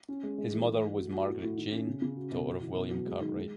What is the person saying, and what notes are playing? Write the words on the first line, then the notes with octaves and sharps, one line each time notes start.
His mother was Margaret Jane, daughter of William Cartwright.
C#4
G#3
G#3
E3
A3
A3
F#4
F#4
A2
A2
D#3
C#4
C#3
C#3
F#4
B2
B3
E3
B2
F#3
G#3
D#3
G#3